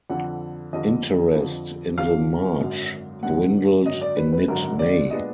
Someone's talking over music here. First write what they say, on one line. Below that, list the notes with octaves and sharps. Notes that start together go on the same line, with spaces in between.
Interest in the march dwindled in mid May.
F2 D3 F3 F#5
F2 D3 F3 D#5
F2 D3 F3
F2 D3 F3 F5
G#1 F#2 D3 F#3
G#1 F#2 D3 F#3 F#5
G#1 F#2 D3 F#3 D#5
D5
B4
B4
G#1 F#2 D3 F#3 A#4
D5
A#2 G#3 B3 D4 D#5